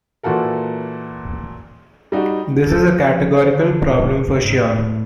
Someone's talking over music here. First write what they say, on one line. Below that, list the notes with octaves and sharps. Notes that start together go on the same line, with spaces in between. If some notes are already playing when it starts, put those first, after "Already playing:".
This is a categorical problem for sure.
A#2 E3 F#4 A4 A#4
G3 D#4 F#4
A4
F3
C5
D3
A#2
G#2
A2